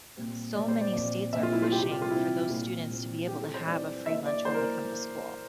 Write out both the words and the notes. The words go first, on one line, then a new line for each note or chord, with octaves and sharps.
so many states are pushing for those students to be able to have a free lunch when they come to school,
A#2 G3 C4
A#2 G3 C4 D5
C5
D5
A#2 F3 C4 D5
A#2 F3 C4 E5
F4
E4
F4
C3 G3 C4 G4
G4
F4
F4
C3 G3 C4 E4
A#2 G3 C4 F4
A#2 G3 C4
E3 G3 C4 G4
A4
C5
E3 G3 C4 D5
E3 A#3 E5
D5
E3 A#3 C5
A#4